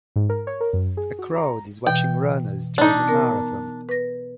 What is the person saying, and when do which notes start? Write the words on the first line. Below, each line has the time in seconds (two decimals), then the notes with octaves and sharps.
A crowd is watching runners during a marathon.
0.16 G#2
0.30 A#4
0.47 C#5
0.61 A#4
0.73 F#2
0.97 G#4
1.19 F#4
1.36 A#5
1.87 B2 E3 G5
2.78 D4 D#4
3.08 B3 A#4
3.89 B4 A#6